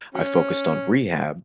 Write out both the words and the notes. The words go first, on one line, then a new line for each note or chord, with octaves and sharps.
I focused on rehab
F#3 C#4